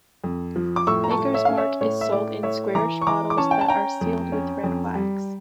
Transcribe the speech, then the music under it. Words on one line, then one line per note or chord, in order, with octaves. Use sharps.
Maker's Mark is sold in squarish bottles that are sealed with red wax.
F2
F3
D6
A2 C#6 E6
A#5
A5 C#6
A2
C#5 E5
C#4 F5
C#5 E5
A2 C#5
E5
A2 D5
A2 C#5 E5
E3 A#5 D6
C#6
E3 A#5 D6
D6
C#4 A5 C#6
G5
A5
C#4 G5 A#5
F2
C#4
F2
G3